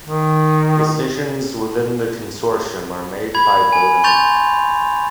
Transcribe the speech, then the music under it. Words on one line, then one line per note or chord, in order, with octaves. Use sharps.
Decisions within the consortium are made by voting.
D#3
B5 G#6
G#5
C6 C#6 G6 A6 F7